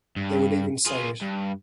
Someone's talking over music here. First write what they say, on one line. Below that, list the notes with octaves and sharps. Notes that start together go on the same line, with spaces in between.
They would even say it.
G2
F4 G#4
G2